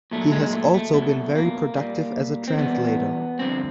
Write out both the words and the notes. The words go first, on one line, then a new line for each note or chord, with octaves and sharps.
He has also been very productive as a translator.
A#2 F#3 A3
G#3
A3
A3
B2 F#3 A3
A#3
A#2 G3
C4
E2 B2 G3 B3
G2 D3 F3 C4